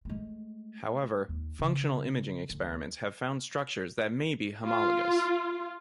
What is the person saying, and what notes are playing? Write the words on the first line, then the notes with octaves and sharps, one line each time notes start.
However, functional imaging experiments have found structures that may be homologous.
G#3 A3
D#2
C#3
D2
F4